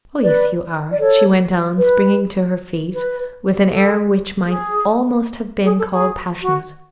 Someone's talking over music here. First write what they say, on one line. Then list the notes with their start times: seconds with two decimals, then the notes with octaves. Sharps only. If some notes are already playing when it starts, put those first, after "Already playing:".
"Oh yes, you are," she went on, springing to her feet with an air which might almost have been called passionate.
0.22 B4 D5
0.91 D5
0.99 A4 C#5
1.77 B4
2.93 B4
3.71 A4
4.49 G#4
5.65 G#4
5.78 A4
5.91 G#4
6.42 F#4